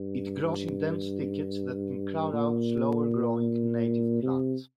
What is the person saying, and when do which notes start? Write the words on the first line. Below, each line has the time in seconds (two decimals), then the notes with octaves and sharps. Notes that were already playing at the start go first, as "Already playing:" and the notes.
It grows in dense thickets that can crowd out slower growing native plants.
Already playing: G2
0.43 G2
2.33 A#2
4.22 C3